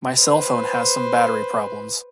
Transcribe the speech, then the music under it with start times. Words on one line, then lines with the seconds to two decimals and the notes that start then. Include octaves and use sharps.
My cellphone has some battery problems.
0.19 B4 C5